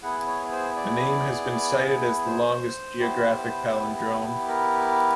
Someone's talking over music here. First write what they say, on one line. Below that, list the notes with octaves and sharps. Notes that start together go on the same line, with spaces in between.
The name has been cited as the longest geographic palindrome.
B3 E4 G#4 F#5
C#5
C5
D5
C5
B3 E4 G4
A#4